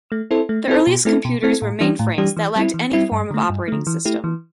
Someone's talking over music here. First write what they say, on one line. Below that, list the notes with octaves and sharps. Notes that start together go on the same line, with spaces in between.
The earliest computers were mainframes that lacked any form of operating system.
A3
C4 E4 A4 C5
A3
C4 E4 A4 C5
B2
A3 C4 E4 A4
B2
A3 C4 E4 A4
A2
E3 G3 D4 G4
A2
E3 G3 D4 G4
E3
G3 C4 E4
E3
G3 C4 E4
G2
D3 A3
G2
D3 A3
E3
A3 E4 G4
E3